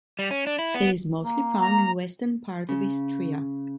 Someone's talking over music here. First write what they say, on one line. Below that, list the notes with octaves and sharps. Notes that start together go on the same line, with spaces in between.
It is mostly found in western part of Istria.
G3
C#4
D4
E4
B3
A#3
A#5
C#3